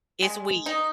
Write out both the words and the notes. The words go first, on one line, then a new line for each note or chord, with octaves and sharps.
It's weave.
G#3
D#4